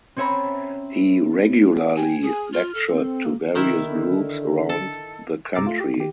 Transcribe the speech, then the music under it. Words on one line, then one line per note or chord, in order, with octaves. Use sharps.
He regularly lectured to various groups around the country.
C4 C#4 C#5 E5 A#5 B5
G5 G#5
G#4
F4 F6
A4
C4
A#3
C3 D#3 E4
D3
A4
G2 C3 A#5 D6 E6 A6
A3 F4
G4
D#3 G4